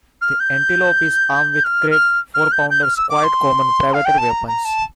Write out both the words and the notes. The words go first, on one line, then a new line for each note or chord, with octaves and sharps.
The "Antelope" is armed with cracked "four-pounders", quite common privateer weapons.
F6
G6
F6
F6
F6
G6
G6
F6
E6
D6
C6
F5
G5
A5
A#5
A#5
A5